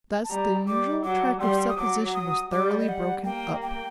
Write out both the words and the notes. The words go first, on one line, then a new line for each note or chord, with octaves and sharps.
Thus the usual track of supposition was thoroughly broken up.
A5
G3 A#5
G3 D6
F#3 D6
G3 C6
D#6
F#3 D6
D#6
G3 D6
D5
D#5
F#5
A#3 G5
G5